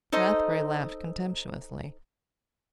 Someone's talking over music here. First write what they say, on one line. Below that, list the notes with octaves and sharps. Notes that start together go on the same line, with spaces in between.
Rathbury laughed contemptuously.
D#4 A4 C5 D#5